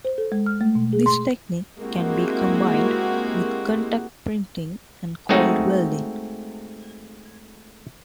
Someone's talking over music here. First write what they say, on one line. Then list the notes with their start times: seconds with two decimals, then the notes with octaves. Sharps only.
This technique can be combined with contact printing and cold welding.
0.05 C5
0.18 A4
0.32 G#3
0.46 F6
0.61 A3
0.75 B2
0.93 G#4
1.06 C6
1.79 G#3 A#3 C4 E4 F#4 G4
5.29 G#3 A3 C4 D#4 F#4